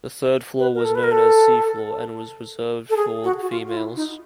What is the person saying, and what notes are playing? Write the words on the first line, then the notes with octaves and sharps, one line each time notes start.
The third floor was known as "C" floor and was reserved for the females.
B4
A#4
A4
B4
A#4
A4
A4
G#4
F#4
F#4
F4
F4
E4
D#4